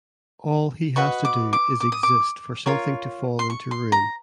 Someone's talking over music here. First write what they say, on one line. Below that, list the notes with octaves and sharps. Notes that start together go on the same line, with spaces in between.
All he has to do is exist for something to fall into ruin.
F#4 B4 D#5 C#6
D6
D6
D6
D#6
D6
F4 A#4 C#5
C6
C#6
C6
A#5